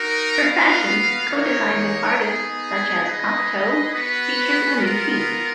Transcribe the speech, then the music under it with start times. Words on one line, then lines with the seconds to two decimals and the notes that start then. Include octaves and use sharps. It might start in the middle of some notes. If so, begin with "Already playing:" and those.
Her fashions, co-designed with artists such as Cocteau, featured the new pinks.
Already playing: D#4 F#4 A#4
0.42 B3 F#4 B4 F5
1.30 A#3 D#4 A#4 C#5
2.18 B3 D#4 G#4
3.05 D#4 G#4 B4 D#5
3.92 B3 F#4 B4
4.80 B3 F4 A#4